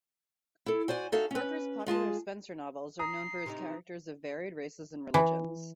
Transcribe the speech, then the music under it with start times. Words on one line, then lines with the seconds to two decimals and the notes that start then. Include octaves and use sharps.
Parker's popular Spenser novels are known for his characters of varied races and religions.
0.66 E4 A4
0.88 F#4 C5 D5 G#5
1.12 D#4 F#4 A4 E5 F5
1.31 C#4 B4
1.86 G#3 F4 G#4 A5
2.99 A#5 D#6 C7
3.46 C3 D#3 D#4
5.14 E3